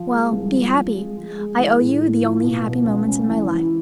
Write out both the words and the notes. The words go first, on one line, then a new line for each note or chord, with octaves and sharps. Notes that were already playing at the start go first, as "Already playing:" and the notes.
Well, be happy; I owe you the only happy moments in my life.
Already playing: F3
G#3
C2
F3
F3
G#3
G#3
G#3
E3
A2
A2
F3
B2
B2
C#2
C#4
E3
E3